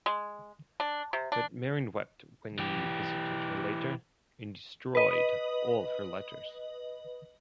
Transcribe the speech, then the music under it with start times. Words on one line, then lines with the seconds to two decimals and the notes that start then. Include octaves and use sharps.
But Mering wept when he visited her later, and destroyed all her letters.
0.06 G#3
0.80 D4
1.13 C3
1.32 D4
2.59 E3 G4
4.95 B4 D#5